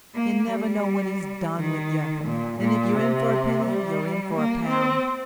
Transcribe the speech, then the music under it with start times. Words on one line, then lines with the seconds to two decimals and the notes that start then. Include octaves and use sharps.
You never know when he's done with you, and if you're in for a penny, you're in for a pound.'
0.15 A#3
0.50 G3
1.54 D#3
2.24 A#2
2.59 A#2
2.94 C3
3.64 G3
4.34 A#3
4.68 C4